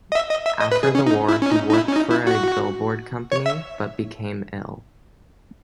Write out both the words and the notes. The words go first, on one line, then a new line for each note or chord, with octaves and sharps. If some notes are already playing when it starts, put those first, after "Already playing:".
After the war he worked for a billboard company, but became ill.
D#5
E5
D#5
E5
D#5
B4
G#4
C#4
D#4
E4
C#4
D#4
D#4
E4
C#4
D#4
E4
F#4
C#5
E5